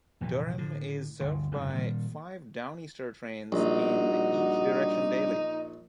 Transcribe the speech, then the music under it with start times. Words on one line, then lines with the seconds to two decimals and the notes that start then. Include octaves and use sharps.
Durham is served by five "Downeaster" trains in each direction daily.
0.21 F1 A#1 E3
0.57 A2 D3
1.20 G1 D2
1.51 F#1 F2 G#2 C3
1.73 A#2 D#3 G3
3.52 A#1 G3 D4 D#4 F#4